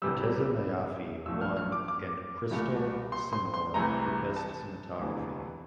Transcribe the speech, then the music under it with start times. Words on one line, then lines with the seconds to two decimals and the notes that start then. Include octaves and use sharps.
Morteza Najafi won an Crystal Simorgh for Best Cinematography.
0.02 C2 C3 E3 G3 E6
1.26 A#1 A#2 F3 A3 E6
1.41 F6
1.57 F6
1.72 D6
1.88 D6
2.51 C2 A#2 A3
3.12 C6
3.33 C6
3.54 C6
3.74 C2 C3 E3 A3 A#5
4.36 A5
4.99 E1 D2 C3 E3